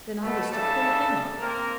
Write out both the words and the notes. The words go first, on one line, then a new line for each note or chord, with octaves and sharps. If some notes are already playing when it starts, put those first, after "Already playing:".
Then I was to pull him up.
B2 A3
G#2 C#3 G3 A4 E5 A5
A#3 C4 A#4